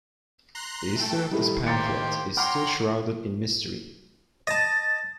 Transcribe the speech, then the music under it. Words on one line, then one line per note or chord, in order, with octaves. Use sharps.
The history of this pamphlet is still shrouded in mystery.
A#5 C6 F#6
A3 A4 G5
A2 D#3 G3 E4 A4
A#3 G4 C5 A#5 A6 C#7
C#5 F#5 G5 A#5 C6 D6 F6
D#5 A5 A6